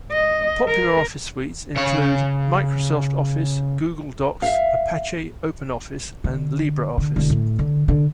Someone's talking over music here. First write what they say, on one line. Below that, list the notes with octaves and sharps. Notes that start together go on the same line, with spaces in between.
Popular office suites include Microsoft Office, Google Docs, Apache OpenOffice, and LibreOffice.
D#5
A#4
C#3 C#5
E5 F5
D3
D3
E1 D3
A2
D3
D3